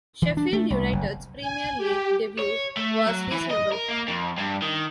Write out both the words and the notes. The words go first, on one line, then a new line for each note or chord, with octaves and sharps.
Sheffield United's Premier League debut was reasonable.
E3
D4
A3
C2
F#1
G#5
G4
C#5
A3
F#3
E3
D#5
A#4
A#3
F2
G2
D#3